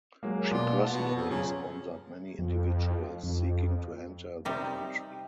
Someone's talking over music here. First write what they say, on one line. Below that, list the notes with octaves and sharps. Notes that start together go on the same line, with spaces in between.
She personally sponsored many individuals seeking to enter the country.
F#3 G#3 A#3
B2 F4 D5 D6
F#5 A5
B2
F2
F#2 C#3
F2
F2
C3 G3 D#4